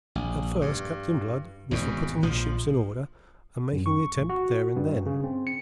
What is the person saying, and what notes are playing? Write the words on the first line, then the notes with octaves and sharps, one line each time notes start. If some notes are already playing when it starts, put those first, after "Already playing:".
At first Captain Blood was for putting his ships in order and making the attempt there and then.
A#1
G2
G#1 E2 B2
A#1 F3
F#2
C#6
A1
F#4
G2
C#3
C4
C#7